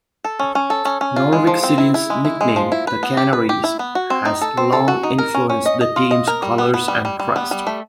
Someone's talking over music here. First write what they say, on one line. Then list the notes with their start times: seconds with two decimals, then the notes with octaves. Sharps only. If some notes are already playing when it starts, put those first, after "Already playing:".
Norwich City's nickname, "The Canaries", has long influenced the team's colours and crest.
0.24 A4
0.39 C#4
0.55 C#4
0.70 A4
0.85 C#4
1.01 C#4
1.16 F4
1.33 G#3
1.47 F3
1.63 C4
1.78 E4
1.94 E4
2.10 G#3
2.25 E4
2.41 G#3
2.56 F3
2.72 E4
2.87 B4
3.03 B3
3.17 G4
3.33 B4
3.49 G4
3.64 E4
3.79 B3
3.95 F#4
4.10 C4
4.25 D#4
4.41 A4
4.57 C4
4.73 A4
4.88 F#4
5.03 D#4
5.18 A#4
5.34 C#4
5.50 C#4
5.66 D#5
5.81 D#5
5.96 F4
6.11 D#5
6.27 A#4
6.42 G3
6.58 B3
6.74 B3
6.88 G3
7.05 G3
7.20 G3
7.36 B3
7.51 G3
7.67 A3